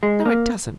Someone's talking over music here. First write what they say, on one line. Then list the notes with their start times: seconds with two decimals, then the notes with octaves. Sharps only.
'No, it doesn't.
0.03 G#3
0.25 A#3